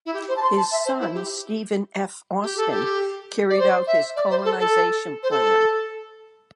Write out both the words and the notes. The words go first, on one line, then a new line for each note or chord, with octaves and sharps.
His son Stephen F. Austin carried out his colonization plan.
E4
G4
C5
A5
C6
A5
E5
C5
E4
G4
G4
A4
G4
D5
C5
E5
D5
C5
A4
A4
C5
A4